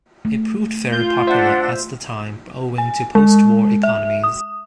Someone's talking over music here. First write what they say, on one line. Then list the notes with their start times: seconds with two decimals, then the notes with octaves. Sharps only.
It proved very popular at the time owing to post-war economies.
0.25 A3
0.92 F4 F5 G6
1.27 D4 C5 E5 F#5
2.78 G#5
3.15 G#3
3.83 E5
4.24 D#6